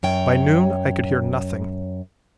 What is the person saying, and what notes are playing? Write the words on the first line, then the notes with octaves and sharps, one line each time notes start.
By noon I could hear nothing.
F#2 C#5 G5